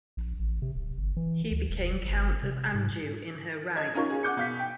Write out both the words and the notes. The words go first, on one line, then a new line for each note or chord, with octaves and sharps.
He became Count of Anjou in her right.
A#1
A1
C3
D1
G1
E3
D2
E1
G1
C3
G#2
D#5 G#6
C#4 D#4 F4 A#4 C#6
C#4 F4 G#4
F#5 D6 G6 C#7
B2 F5 B6
G5